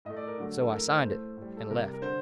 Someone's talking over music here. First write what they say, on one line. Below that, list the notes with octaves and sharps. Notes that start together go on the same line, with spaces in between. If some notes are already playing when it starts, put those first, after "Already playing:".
So I signed it, and left.
A2 A3 D#5
D5
A#4
D3 F#3 A3
A4
A2 A3 A#4
C5
A2 A3
A2 G3
A4
C3 G3 A#4
A#4
D3 C5